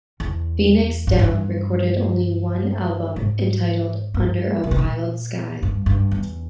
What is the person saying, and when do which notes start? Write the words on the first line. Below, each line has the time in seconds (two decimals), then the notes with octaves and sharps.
Phoenix Down recorded only one album, entitled "Under A Wild Sky".
0.20 E2
1.07 G#2
1.19 G2
3.16 G#2
4.14 G2
4.64 A#2
4.71 B2
4.78 A#2
5.63 G2
5.86 G2
6.11 E2